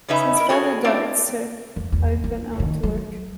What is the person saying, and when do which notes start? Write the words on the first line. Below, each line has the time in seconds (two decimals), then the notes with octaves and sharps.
Since father died, sir, I've gone out to work.
0.08 C#3 C#4 D#4 B4 E5 A#5
0.37 E4 A#4
0.49 F#4 G#4 A4 C#5
0.84 C4 D4 E4 C5 D5 F5
1.76 F2
1.92 E2
2.24 F#2
2.60 D#3
2.83 F#3